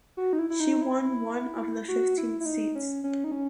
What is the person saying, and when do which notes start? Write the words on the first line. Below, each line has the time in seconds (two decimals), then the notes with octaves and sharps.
She won one of the fifteen seats.
0.17 F#4
0.33 D#4
0.39 E4
0.50 E4
0.60 D#4
0.82 E4
1.88 F#4
2.18 E4
2.41 E4
2.46 D#4
2.75 C#4
3.04 C#4
3.24 D#4
3.32 C#4